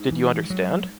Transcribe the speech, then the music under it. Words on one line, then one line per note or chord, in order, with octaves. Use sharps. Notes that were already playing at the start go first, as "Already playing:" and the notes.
Did you understand?
Already playing: G#2
E3
F#3